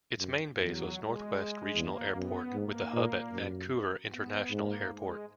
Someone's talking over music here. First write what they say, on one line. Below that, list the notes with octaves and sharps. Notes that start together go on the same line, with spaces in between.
Its main base was Northwest Regional Airport with a hub at Vancouver International Airport.
F#2
E2 F#3
G#3
E2 A#3
F#2 B3
G#2 A#3
A#2
F#2
B3
G#2 A#3
G#3